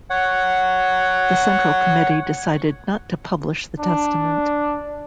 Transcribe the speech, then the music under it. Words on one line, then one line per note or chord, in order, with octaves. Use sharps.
The Central Committee decided not to publish the testament.
C#5 F#5
D4